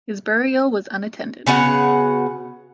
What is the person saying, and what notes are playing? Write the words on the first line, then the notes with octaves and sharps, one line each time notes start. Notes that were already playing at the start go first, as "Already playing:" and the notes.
His burial was unattended.
C#3 B3 F#4 F#5